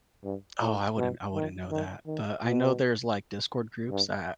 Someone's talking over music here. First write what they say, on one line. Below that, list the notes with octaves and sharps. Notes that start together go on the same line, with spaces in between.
Oh, I wouldn't I wouldn't know that, but I know there's, like, Discord groups that
G2
A2
B2
D#3
D#3
D#3
B2
G2